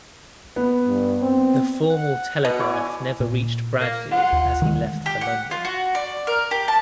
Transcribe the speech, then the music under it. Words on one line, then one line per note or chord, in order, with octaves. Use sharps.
The formal telegraph never reached Bradfield as he left for London.
B3
G2
C4
F#5
B2
E4 C#5 D5
G#5
A#2
A#3
F4 F#5
D#2
D#3 F3 G#3
G4
F#5
F4
F#4
D5
A#4
G4
A5